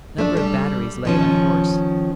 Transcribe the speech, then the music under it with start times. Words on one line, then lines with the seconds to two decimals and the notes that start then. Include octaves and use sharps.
A number of batteries lay unhorsed.
0.18 A3 D4
0.37 G3
1.05 D#3 F3 C#4